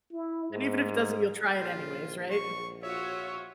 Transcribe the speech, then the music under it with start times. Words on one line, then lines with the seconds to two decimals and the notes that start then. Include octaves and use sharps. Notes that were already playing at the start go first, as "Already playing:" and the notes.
And even if it doesn't, you'll try it anyways, right?
0.12 E4
0.50 G#2
1.57 A#1 F4
2.30 C#6
2.83 F4 F#4 C#5 E5